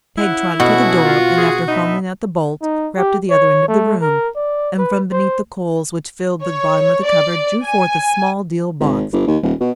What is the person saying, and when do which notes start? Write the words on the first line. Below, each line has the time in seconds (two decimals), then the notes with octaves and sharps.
Peg trotted to the door, and after fumbling at the bolt, crept to the other end of the room, and from beneath the coals which filled the bottom of the cupboard, drew forth a small deal box.
0.18 C#3 E4 F#5
0.60 B2 A3 C#4 F#4 G#4
1.02 F4
1.38 G#4
1.68 B3 D4 D#4 E5
2.62 D#4
2.97 G4
3.30 C#5
3.69 A3
4.01 A#4
4.36 D5
4.78 B4
5.12 C5
6.43 C#5
7.03 D5
7.62 G#5
8.80 G#1
9.13 G1
9.27 D#2
9.42 D#1
9.60 B2